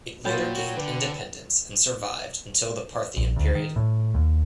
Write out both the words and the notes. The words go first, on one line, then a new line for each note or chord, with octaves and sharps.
It later gained independence and survived until the Parthian period.
A#2 F#3 A#3 F4 G5 B5 A6
F#4 C#5
D3 B4
A#1
D2
D#3
A2
D#2